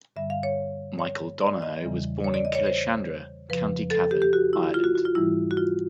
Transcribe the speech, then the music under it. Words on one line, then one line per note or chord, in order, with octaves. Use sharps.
Michael Donohoe was born in Killeshandra, County Cavan, Ireland.
G2 D3 G3 E5
F5
C#5
C#5
D5
D#5
E2 C#3 E3 G3
C#5
D5
D#5
C#5
C5
F2 C#3 F3 B4
A4
G4
G4
F#4
E4
F4
F#4
F#4
F4
G#2 E3 G3 E4
F#4
F4